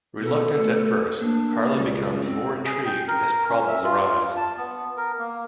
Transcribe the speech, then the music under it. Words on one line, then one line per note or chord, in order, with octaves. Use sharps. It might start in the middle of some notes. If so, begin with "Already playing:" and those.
Reluctant at first, Carla becomes more intrigued as problems arise.
B2 A4
A3
A#3 D4
C#2 G3
C4
G#4
G5
A#4
C#4
E5
F4
A5
B3
A#4
A#3